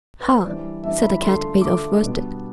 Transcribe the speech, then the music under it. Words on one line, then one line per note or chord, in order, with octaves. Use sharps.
"Ha!" said the Cat-made-of-worsted.
B4
C5
E3 G3 D4 D5
E3 G3 D4 E5
B5
D3 A3 D4 F4 C6
D3 A3 D4 F4 D6
B2 G3 B3 D4